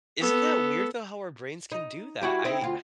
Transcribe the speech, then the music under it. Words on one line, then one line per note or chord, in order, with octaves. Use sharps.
isn't that weird, though, how our brains can do that, I
B3 A4
D#4
G3 E4 F#4
C4 D#4 E4
D2 F4